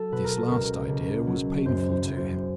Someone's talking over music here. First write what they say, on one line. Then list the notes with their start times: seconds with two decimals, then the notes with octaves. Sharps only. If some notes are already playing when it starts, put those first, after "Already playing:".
This last idea was painful to him.
Already playing: F#3 A4
0.12 B2 B4
0.25 A#4
0.37 A4
0.50 C#2 A#4
0.88 C#2
1.27 F#3
1.65 F#2 C5
1.91 C5
2.04 F#1
2.17 C5